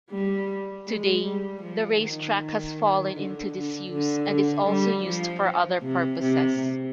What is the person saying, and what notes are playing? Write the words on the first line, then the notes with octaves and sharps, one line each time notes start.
Today the racetrack has fallen into disuse and is also used for other purposes.
G3
G#3
G3
F3
D#3
D3
D3
D3
D3
G3
F3
C3
C3